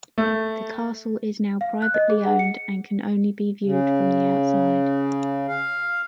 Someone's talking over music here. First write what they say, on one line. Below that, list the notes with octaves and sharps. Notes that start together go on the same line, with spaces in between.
The castle is now privately owned and can only be viewed from the outside.
A3
F5
F#6
D#5
G#4
F#5
C#7
C#3
F5